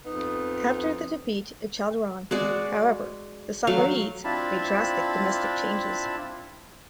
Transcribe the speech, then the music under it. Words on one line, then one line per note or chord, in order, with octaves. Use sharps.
After the defeat at Chaldiran, however, the Safavids made drastic domestic changes.
F2 B3 D#4
G#3 F#4 G#4 D5
F#3 A3 F5
C4 D4 E4 F4 A5 B5